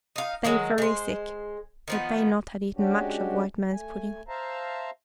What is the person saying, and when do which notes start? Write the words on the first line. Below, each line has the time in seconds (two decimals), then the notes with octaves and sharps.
They very sick, but they not had eat much of white man's pudding.
0.16 D#4 F5
0.44 D#3 F#3 G#3
0.78 G#3 C5
1.88 D#3 F3 B3
2.76 G#3 C#4 D4 F#4 G4
3.72 A3 G#5
4.28 C5 E5 F5 A5 A#5